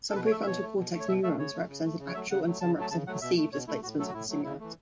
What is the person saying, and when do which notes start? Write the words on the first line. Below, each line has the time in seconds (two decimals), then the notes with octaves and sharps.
Some prefrontal cortex neurons represented actual and some represented perceived displacements of the stimulus.
0.10 A4
0.15 B2 B4
0.26 C#5
0.31 A3 E5
0.42 E5
0.46 B2 C#5
0.62 A3
0.77 B2
0.93 A3
1.00 C#5
1.07 B2 E5
1.23 A3 E5
1.38 C#3 C#5
1.54 A3
1.68 C#3
1.85 A3
1.99 C#3
2.07 C#5
2.14 F#3 A3 E5
2.31 C#3 F#5
2.46 F#3 A3
2.61 C#3 A5
2.77 F#3 A3 A5
2.91 C#3 A5
3.07 F#3 A3 F#5
3.21 B2 E5
3.37 A3
3.52 B2 C#5
3.68 A3 E4
3.83 A2 F#4
3.98 F#3 A3 A4
4.08 F#4
4.13 A2 E4
4.29 F#3 A3
4.44 C#3 E4
4.60 E3 A3